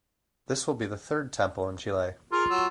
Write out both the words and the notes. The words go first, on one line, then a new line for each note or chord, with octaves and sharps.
This will be the third temple in Chile.
F4 G#4 A#4
F#3 E6